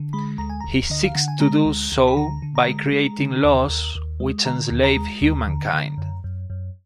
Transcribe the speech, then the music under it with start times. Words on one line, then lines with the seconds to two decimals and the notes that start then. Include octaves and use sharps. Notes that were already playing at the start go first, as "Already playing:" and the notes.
He seeks to do so by creating laws which enslave humankind.
Already playing: D3
0.13 G#3 B5
0.38 D2 A#5
0.50 G#5
0.60 D2 A#5
0.90 D3 D#5
1.04 F5
1.15 D3 F#5
1.28 G#5
1.40 G#3 A#5
1.65 D2
1.92 D2
2.07 B5
2.17 D3 A#5
2.42 D3
2.55 A#5
2.68 G#3
2.92 G#3
3.19 D3
3.44 D#2
3.69 D#2
3.95 D#2
4.20 G#3
4.45 D3 A#5
4.71 D#2
4.84 A#5
4.96 G#3
5.22 D#2
5.48 D3
5.73 D3
5.98 F#2
6.24 F#2
6.50 F#2